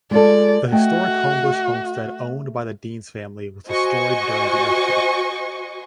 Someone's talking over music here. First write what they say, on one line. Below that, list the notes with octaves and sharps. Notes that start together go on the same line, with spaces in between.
The historic Homebush Homestead owned by the Deans family was destroyed during the earthquake.
G#3 F4 A4 D5
A3 F#4 D#5 G5
F#4 C5 D#5 G#5 C#6